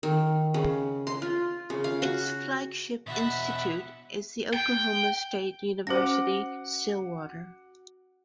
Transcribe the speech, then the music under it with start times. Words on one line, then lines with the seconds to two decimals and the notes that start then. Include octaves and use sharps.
Its flagship institute is the Oklahoma State University-Stillwater.
0.03 D#3
0.54 C#3
1.07 C6
1.22 F4
1.70 C#3
1.84 F5
2.02 F#4
3.07 B2 E4 E5 F#5
4.53 G5
5.87 C#4 F#4 C5 F#5 D6 A#6